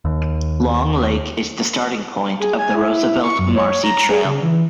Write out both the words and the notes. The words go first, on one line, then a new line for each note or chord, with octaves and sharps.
Long Lake is the starting point of the Roosevelt-Marcy Trail.
D#2
G#4
G#5
E4
C#6
F#2
C#5
A#5
G#4
C#3
E3